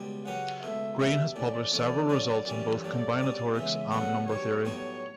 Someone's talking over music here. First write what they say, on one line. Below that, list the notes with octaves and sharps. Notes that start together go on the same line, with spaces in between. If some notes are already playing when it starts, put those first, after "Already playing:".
Green has published several results in both combinatorics and number theory.
Already playing: C#2 B2 G3
C#3 F#3 C#4 G4 B4 F#5
C#2 B2 A3 E5
B2 G3 D4 E5
A1 A2 E3 D5
E2 D3 A3 C#4 D5
D3 F#3 C#4
F#2 E3 G3 C#4
G2 F#3 A3 D5
B2 G3 C#4
C#2 C#3 E3 B3 E5
C#3 F#3 B3 D4 A4 F#5
B1 B2 G3 C#5
B1 A2 G3 B3 F#4 C#5